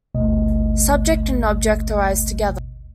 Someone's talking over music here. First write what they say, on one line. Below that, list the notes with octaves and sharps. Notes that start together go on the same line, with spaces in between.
Subject and object arise together.
G#1 D2 B2 A3 D#5